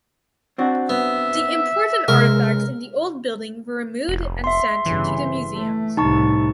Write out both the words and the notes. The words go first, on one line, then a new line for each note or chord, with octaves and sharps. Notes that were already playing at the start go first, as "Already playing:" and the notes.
The important artefacts in the old building were removed and sent to the museums.
C4 D4 F#4
B3 E5
C#2 C3 G#3 A#4
F1
E5 C6
G1 C#3 E3
A3
C2 A2 D#4 A5 C#6